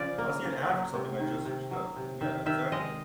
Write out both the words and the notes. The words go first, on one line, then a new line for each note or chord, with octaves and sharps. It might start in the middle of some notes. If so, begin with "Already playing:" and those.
I'll see an ad for something I just searched up, yeah, exactly.
Already playing: C#3 F3 D5
A#3
C#3
F#3
C3
D#3
C3
F#3
C3
D#3 E5
D#3 E5
G#3 D#5